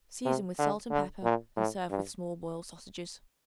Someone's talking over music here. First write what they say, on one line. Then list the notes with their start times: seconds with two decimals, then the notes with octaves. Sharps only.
Season with salt and pepper, and serve with small boiled sausages.
0.25 C3
0.59 D3
0.91 D3
1.24 A#2
1.57 A2
1.90 G2